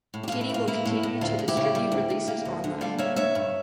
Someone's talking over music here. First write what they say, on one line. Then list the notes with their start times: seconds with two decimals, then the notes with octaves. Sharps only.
Kitty will continue to distribute releases online.
0.14 A2
0.23 G4
0.28 F4
0.32 A2
0.41 E4
0.50 E3 F4
0.68 A#3 E4
0.85 A2
1.03 A2
1.21 D2 F4
1.39 D2
1.48 E4 G4
1.57 C#3
1.75 G3
1.92 D2
2.10 D2
2.28 A#3
2.45 D2
2.64 D3
2.81 G3 F4 A4
2.98 A#3 C#5 E5
3.16 D2 C#5 E5
3.35 G2